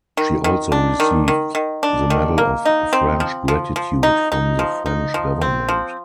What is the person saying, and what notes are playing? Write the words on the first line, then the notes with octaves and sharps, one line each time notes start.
She also received the Medal of French Gratitude from the French government.
D#3
D#3
D4
D#3
D#3
D#3
D4
D#3
A#3
D#4
C4
F3
F3
F3
D#4
D#4
F3
D#4
F3
C4
F3